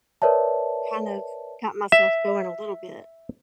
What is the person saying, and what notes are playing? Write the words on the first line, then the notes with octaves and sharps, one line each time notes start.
kind of got myself going a little bit,
A#4 B4 C#5 D5 E5 A5
E5